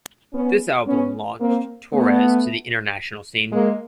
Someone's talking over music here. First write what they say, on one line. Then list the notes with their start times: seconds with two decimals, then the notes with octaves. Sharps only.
This album launched Torres to the international scene.
0.33 B3 C#4
0.87 B3 C#4
1.39 A#3 C4
1.93 A3 B3
3.52 G#3 A#3